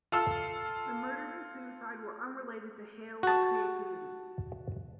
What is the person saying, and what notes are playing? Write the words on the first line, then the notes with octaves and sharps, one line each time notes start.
The murders and suicide were unrelated to Hale or Creativity.
F4 A4 E6
F#4 A5